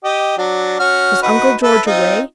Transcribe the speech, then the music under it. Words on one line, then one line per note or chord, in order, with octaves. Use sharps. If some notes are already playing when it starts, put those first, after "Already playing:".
Was Uncle George away?
G4 D#5
F#3 D4
C#4 F#4 F6
D#4 F#4 B4
A4 B4 E5
C4 D#4 F4